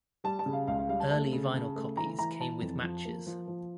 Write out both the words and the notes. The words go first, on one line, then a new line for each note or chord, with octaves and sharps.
Early vinyl copies came with matches.
G3 A5
A5
C#3
F5
C#2 F5
F5
G3 F5
A5
A3 A5
C#3
C#3
A3
E3 A#5
E3 A#5
E3 A5
F2
F3
A#3
F3
F3